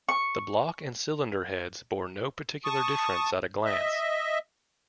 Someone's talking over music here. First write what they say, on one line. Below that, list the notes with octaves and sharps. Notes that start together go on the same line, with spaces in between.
The block and cylinder heads bore no particular difference at a glance.
C#6
A5 C#6 D#6
D#5 E5